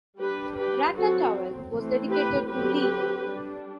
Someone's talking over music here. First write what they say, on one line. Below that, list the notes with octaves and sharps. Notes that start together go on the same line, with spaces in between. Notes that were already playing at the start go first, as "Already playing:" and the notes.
Ratatouille, was dedicated to Lee.
G3 D4 G4 B4
G4 B4
F#3 C4 F#4 A4
E3 A3 C4
G4 B4
D3 F#3 C4 G4 B4
G3 D4